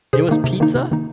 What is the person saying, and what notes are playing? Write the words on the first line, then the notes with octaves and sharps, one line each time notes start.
it was pizza,
C3 G#4 C5
D#3 A#3 D#4
C3
D#3 A#3 D#4
C3
D#3 A#3 D#4